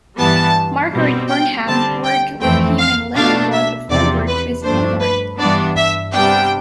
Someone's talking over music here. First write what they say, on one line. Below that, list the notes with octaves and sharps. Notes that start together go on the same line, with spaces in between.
Margaret Burnham worked with him and later wrote a foreword to his memoir.
G2 E3 G3 B3 A5
B2 G3 C4
G5
D3 G3 C4 A5
G5
F2 E3 A3 C4 G5
F5
B2 A3 D4 F5
E5
E2 C3 F3 C4 D5
B4
G2 F3 A3 D4 C5
B4
G2 E3 B3 D4 D5
E5
C3 G3 B3 D4 G5